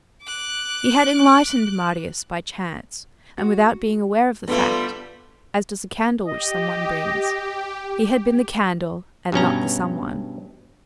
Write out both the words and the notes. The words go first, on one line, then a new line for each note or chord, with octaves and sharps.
He had enlightened Marius by chance and without being aware of the fact, as does a candle which some one brings; he had been the candle and not the some one.
D6 F#6
F#4
D3 G3 A3 B3 F4
G4 D#5
G2 B2 C#4 A#5